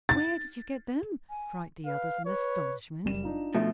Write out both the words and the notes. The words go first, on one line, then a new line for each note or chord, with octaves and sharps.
"Where did you get them?" cried the others in astonishment.
A6
G#5
B4 F5
B4 C#5
F#1 G3 E7
D4 D#4 F4
B2 F3 A3